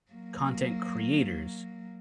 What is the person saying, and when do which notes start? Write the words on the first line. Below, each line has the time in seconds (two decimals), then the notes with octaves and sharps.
content creators
0.12 F#3 A#3